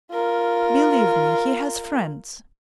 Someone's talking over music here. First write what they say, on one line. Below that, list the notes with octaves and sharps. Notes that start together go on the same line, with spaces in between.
Believe me, he has friends.
F4 A#4